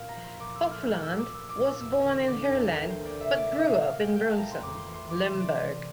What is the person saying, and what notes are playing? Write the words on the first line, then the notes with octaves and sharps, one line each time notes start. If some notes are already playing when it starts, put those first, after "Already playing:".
Hofland was born in Heerlen, but grew up in Brunssum, Limburg.
Already playing: A#2 F5
A#5
F3
C6
A#2 D6
E6
A3
F6
A#2 F6
E6
A#2
D6
A#2 E6
D6
A#2
E6
E2 E6
D3
D3 D6
G5
E2
A4
D2 A#4
C5
A#3
D5
C3 E5
D5
A#3
E5
A#2 F5
F5
A3
G5
A3 G5
A5
A#2 A#5
C6
F2 D6
C6
E3
C6
E3 D6
C6
C3
D5
C3